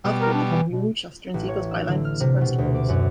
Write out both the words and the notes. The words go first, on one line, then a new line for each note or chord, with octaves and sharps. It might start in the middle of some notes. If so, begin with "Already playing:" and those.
Afterward, the company removed Shuster and Siegel's byline from Superman stories.
B2 G3
A#4
D4
E3
B2
A1
C#5
E6
D3
F6
C3
B2
D2
D6
F#2